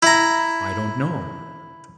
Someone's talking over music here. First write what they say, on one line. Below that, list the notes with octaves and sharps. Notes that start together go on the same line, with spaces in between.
"I don't know."
E4 A#5